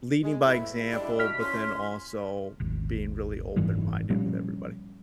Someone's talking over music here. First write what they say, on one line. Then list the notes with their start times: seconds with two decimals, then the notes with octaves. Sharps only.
leading by example, but then also being really open-minded with everybody.
0.24 G#3
0.45 E2 A2 E4 E5
0.92 G3 G#3 D4 D5
1.19 F#4 F6 B6
1.39 F3 C#4 C6
2.60 D#1 G#1
3.56 F#1 G#2 E3 G3
4.10 A#2 F3 G3 C#4